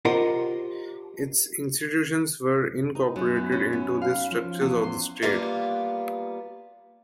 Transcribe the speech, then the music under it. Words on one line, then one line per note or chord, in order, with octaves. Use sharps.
Its institutions were incorporated into the structures of the state.
F4 G4 A#4 C5 D#5 F#5
D#4
F#2
B3
C#4
B3
F5
F3
E2
C6
G3 A#3 B3 F4